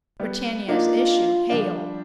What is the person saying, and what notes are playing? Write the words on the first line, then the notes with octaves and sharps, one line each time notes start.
Britannia's issue, hail!
G3 B3
A#3 D4 D#4 F4
F3 G3 D4